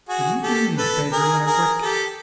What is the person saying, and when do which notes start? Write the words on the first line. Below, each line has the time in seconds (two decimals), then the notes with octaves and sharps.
"Will you do me a favor, Lamp-Wick?"
0.08 F#4 G#4
0.43 G4 A4
0.77 A4 B4
1.12 G#4 A#4
1.46 G#4 A#4
1.82 G4 A4